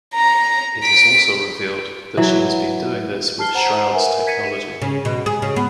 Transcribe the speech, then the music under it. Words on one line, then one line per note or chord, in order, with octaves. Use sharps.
It is also revealed that she has been doing this with Shroud's technology.
A#5
B6 D7
E3 F#3
A5 F6 C7 G7
C5 F#5 A#5
A#4 B4 E5 F#5 G#5
G#6 B6 C#7 D#7
C#3
B2
G#4
C#3
B3